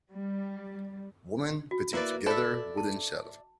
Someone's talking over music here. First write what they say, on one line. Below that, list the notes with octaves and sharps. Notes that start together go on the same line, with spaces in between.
Woman putting together wooden shelf.
G3
F#4
A#3 E4 B4 D5
A4 D5 E5 B5
A5